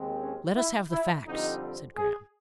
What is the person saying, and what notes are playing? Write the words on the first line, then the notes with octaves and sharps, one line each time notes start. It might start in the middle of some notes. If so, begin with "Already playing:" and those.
"Let us have the facts," said Graham.
Already playing: D#2 D#3 G#3 C4
C#4
E4
E4
F2 D3 G3 C4 D#4
G#4